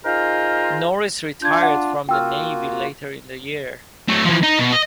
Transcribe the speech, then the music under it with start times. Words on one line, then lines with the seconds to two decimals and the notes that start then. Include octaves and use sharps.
Norris retired from the navy later in the year.
0.05 D#4 F4 G#4 A#4 C5
1.42 D4 F4 G6 G#6
1.63 F#5
2.09 A#3 F4 F#4 G5 E6 F6
4.09 F#3 A3
4.25 E3 F3
4.43 D#4
4.59 B2
4.72 D#5